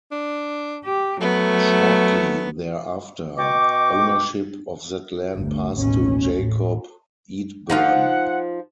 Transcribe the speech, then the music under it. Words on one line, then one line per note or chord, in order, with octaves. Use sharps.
Shortly thereafter, ownership of that land passed to Jacob Edeburn.
D4
G4
F#3 A3 B3
B2 D#5 G5 C#6 D6
G1 D2
A1 D#2 B2 C#4
A2
F3 D#4 F4 F#5